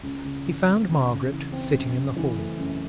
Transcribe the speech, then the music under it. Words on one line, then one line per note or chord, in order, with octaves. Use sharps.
He found Margaret sitting in the hall.
C#2
C#3
E3
C4
C#2
C#3
E3
C4
F#2
C#3
E3
A3
F#2